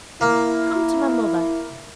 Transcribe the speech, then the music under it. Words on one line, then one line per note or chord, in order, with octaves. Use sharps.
Come to my mother.
A#3 E4